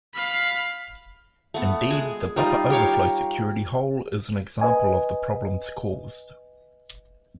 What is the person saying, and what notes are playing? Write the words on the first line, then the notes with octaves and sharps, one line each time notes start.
Indeed, the buffer overflow security hole is an example of the problems caused.
F5 B5
A3 B3
G#3 G#4
G3 D#4 F4
G4 A#4 C#5 F5
B4 D#5 G#5